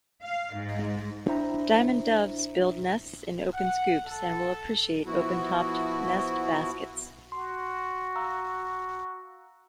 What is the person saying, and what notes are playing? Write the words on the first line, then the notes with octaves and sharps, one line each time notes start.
Diamond doves build nests in open scoops, and will appreciate open-topped nest baskets.
F5
G#2
D4 E4 C5 E5 G5 A#5
F#5
A4
F3 B3 E4 F#4
F#4 C6
F5 A#5 E6